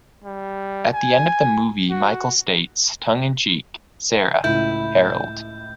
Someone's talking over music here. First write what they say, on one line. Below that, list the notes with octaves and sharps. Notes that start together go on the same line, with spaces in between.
At the end of the movie, Michael states, tongue in cheek, Sarah, Harold.
G3
G#5
F#4
C#2 A2 E4 G6